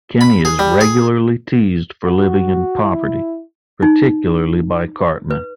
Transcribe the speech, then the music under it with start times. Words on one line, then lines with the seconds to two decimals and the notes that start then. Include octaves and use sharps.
Kenny is regularly teased for living in poverty, particularly by Cartman.
0.21 B5
0.45 G#4
0.59 G3
0.81 G#4
2.04 F#4
2.83 E4
3.83 D#4
5.31 B4